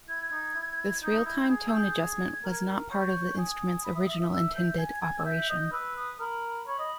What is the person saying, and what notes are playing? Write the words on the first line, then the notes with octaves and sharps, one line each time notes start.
This real-time tone adjustment was not part of the instrument's original intended operation.
E4 G#6
D#4
E4
D#4 G6
E4
G#4 G#6
E6
G6
G#6
A#4
C#5 G6
G#5 D#6
B5
E5
E5
E5 D#6
E6
G6
G#5 G#6
G#5
E6
E5 G6
D#5
B4 E6
D#6
A#4 B5
C#5 B5
D#5